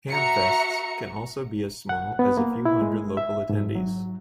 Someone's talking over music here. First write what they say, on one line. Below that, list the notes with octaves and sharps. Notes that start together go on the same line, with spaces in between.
Hamfests can also be as small as a few hundred local attendees.
F#4 E5 A#5 C#7
F#5
B3
A#3
E4
G#3
E5
G#2
F#3